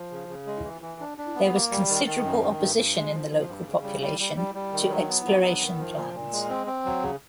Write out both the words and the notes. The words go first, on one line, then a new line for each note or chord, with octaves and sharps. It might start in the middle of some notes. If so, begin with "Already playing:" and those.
There was considerable opposition in the local population to exploration plans.
Already playing: F3
C#3
C#3
G#3
E3
E3
D4
D4
B3
A#3
G3
D#3
D#3
F#2
D#3
G2
G2
G#3
F3
F3
G2
C#3
G3
G3
G3
G3
G3
D#3
F#3
B3
F#3
B3
D#3
F3
A#2
A#2
G#3
C4
C4
F#3
C#3